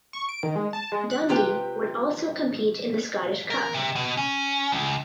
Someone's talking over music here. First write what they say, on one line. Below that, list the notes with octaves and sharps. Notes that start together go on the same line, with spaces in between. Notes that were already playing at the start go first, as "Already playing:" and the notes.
Dundee would also compete in the Scottish Cup.
C#6
D7
D#3
G#3
A5
G#3
F#6
C3 F4 G4 B4 G5
A#4
C3
B2
C#4
C#2